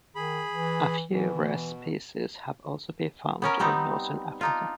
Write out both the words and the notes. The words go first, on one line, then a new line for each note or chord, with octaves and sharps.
A few rare species have also been found in northern Africa.
D#3 G#4 B5
E3
B2 E3
B3 C#4 A#4
G3 B3 C4 D#4
D4 D#4 F4